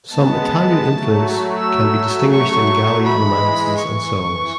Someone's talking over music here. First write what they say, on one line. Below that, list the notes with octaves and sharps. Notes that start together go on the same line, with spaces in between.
Some Italian influence can be distinguished in Galli’s romances and songs.
G#3 B3 A5
F#3 A3
E6
C#6
E3 G#3 B5
E3 C#6
E3